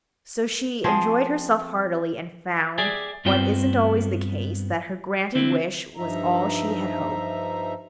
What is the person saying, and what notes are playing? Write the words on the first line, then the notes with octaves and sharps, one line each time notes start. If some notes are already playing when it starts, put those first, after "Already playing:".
So she enjoyed herself heartily, and found, what isn't always the case, that her granted wish was all she had hoped.
F3 C4 G#4
G4 G#4 D5 E5 G5 G#5
G2 B3 C4 F4 C5 G5
D3 C4 E4
G2 F3 D#4 E5 A#5